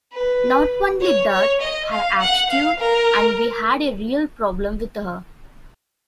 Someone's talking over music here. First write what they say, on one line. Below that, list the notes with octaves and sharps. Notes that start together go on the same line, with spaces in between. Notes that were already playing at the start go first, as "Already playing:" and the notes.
Not only that, her attitude, and we had a real problem with her.
B4
C#5
C#5
D#5
F5
F#5
F5
A#4